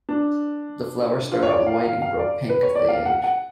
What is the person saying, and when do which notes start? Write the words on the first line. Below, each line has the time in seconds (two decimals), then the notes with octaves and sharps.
The flowers start out white and grow pink as they age.
0.09 D4
1.32 F4
1.43 C#5
1.48 D5
1.66 F5
1.84 F5
2.02 F5
2.19 D5
2.49 B4
2.63 C#5
2.75 D5
2.88 F5
3.06 F#5
3.23 F#5